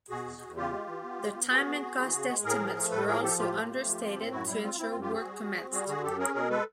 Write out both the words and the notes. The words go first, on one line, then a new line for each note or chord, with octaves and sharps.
The time and cost estimates were also understated to ensure work commenced.
B2 F#4 G#4
E2
E2
C#3 F4 G4
G#3
E3
B3
G#3
B3
B3 F#4 G#4
B3
B3
E3
C#3
G#3
A2 G#4 A#4
F3
A3
A2 A4 B4
F3 G#4 A#4
F3 G4 A4
A2 F4 G4
A3
A3
F3
C4
A2
F#2 E4 F#4
G3 E4
C4 F4
C4 E4
F4
F#2
F4 G4
C4 F#4 G#4
G3
G3
C4
G3 F#4 G#4
D3 F#4 G#4
F#2 G4 A4
C#4 G#4 A#4
B2 G#4 A#4
G#3 A4 B4